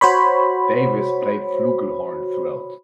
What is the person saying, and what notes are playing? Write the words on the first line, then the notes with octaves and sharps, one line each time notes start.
Davis played flugelhorn throughout.
F#4 C5 C#5 B5